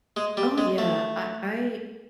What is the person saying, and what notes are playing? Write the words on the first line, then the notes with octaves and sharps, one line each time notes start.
Oh, yeah, I I
G#3
G3
G#3
A3